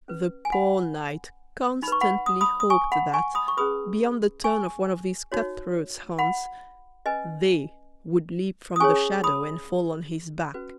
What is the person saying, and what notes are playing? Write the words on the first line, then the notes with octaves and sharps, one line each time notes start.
The poor knight constantly hoped that, beyond the turn of one of these cut-throats' haunts, "they" would leap from the shadow and fall on his back.
C#4 B4
G#5
F#5 B5
D#4 B5
B4 C#6
F#5 B5
D#6
B5 D#6
D#6
G#5 C#6
F#5 B5
G#5 C#6
B5 D#6
C#6
C#4 G#4 B4 B5 D#6
G#5 C#6
D#4 F#4 C#5
F#5 B5
C#4 B4 D#5 G#5
D#6
C#4 G#4 C#5 G#5 C#6
B5 D#6
C#4 F#4 B4